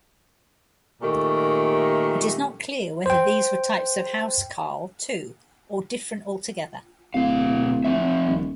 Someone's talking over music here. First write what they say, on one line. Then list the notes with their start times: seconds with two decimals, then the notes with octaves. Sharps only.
It is not clear whether these were types of "housecarl" too or different altogether.
1.02 A#2 D#3 A3 G4
3.06 C5 G5
7.14 D1 B2 F5
7.85 F3 C4 E5
8.26 D#1